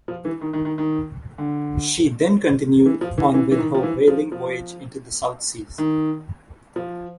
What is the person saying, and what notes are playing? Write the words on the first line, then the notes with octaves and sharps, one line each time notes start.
She then continued on with her whaling voyage into the South Seas.
F3
E3
D#3
D#3
D#3
D#3
D3
E3
F3
E3
E3
E3
D#3
F3
E3
F3
F3
D#3
F3